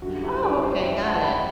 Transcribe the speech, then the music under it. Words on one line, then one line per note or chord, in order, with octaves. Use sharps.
Oh, okay, got it.
F#2 D3 G3 F#4
E4 G4
B4 D5
C5 E5
E5 G5
F#5 A5
G5 B5